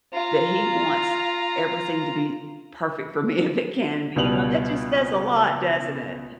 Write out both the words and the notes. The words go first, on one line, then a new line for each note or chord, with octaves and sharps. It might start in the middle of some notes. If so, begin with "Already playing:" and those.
that he wants everything to be perfect for me if it can be, you know? And that just says a lot, doesn't it?
F4 A#5
C#2 B2 G3 F7 F#7